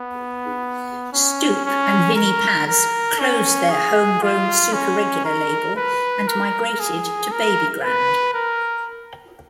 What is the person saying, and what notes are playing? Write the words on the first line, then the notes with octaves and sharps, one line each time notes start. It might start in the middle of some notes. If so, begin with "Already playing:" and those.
Stoupe and Vinnie Paz closed their homegrown Superegular label and migrated to Babygrande.
Already playing: B3
C#4
C#4
A#4
A#4
C#4
G#4
F4
C#4
A#4
B4
A#4
G#4
A#4
B4
A#4